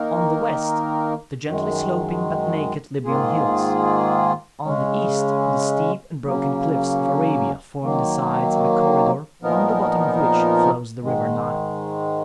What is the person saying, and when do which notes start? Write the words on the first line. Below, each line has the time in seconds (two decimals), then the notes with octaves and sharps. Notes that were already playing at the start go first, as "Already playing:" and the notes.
On the west the gently sloping but naked Libyan hills, on the east the steep and broken cliffs of Arabia form the sides of a corridor on the bottom of which flows the river Nile.
Already playing: D#3 A#3 D#4 A#4
1.45 F#2 D#3 G#3
3.04 G#2 D#3 A#3 F4 G#4
4.64 C#3 G#3 C#4
6.23 C#3 F#3 A#3 C#4
7.82 D#3 F#3 A#3
9.42 A#2 F3 B3 D#4 A#4
11.02 G#2 D#3 G#3